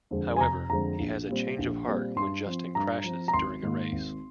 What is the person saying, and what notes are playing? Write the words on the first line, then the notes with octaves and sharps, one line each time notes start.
However, he has a change of heart when Justin crashes during a race.
F2 D3 G#3 C4
G#5
F1 A#5
F2 D3 G#3 C4 A#5
A#1
A#2 G3 C4
A#1
A#2 G3 C4
G2 C6
F3 C4
G2 A#5
F3 C4
A#5
G#1 C6
G#2 D#3 A#3
G#1